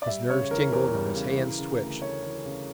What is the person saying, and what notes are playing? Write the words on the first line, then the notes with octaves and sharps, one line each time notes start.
His nerves tingled and his hands twitched.
D5
G3 E5
C#3 C#5
E2 A#4
E2 A#4
G3
C#3
E3
C#3
D2
A3 C#5
E3
C#3